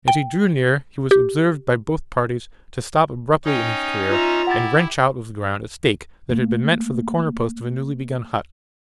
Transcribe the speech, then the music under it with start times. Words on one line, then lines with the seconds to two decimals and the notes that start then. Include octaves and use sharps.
As he drew near he was observed by both parties to stop abruptly in his career, and wrench out of the ground a stake that had been meant for the corner-post of a newly-begun hut.
0.08 G5
1.11 G4
3.45 C#4 D#4 G5
4.09 F4 E5 A#5
4.47 E4 G4 F#5 A6
6.29 A3 A#3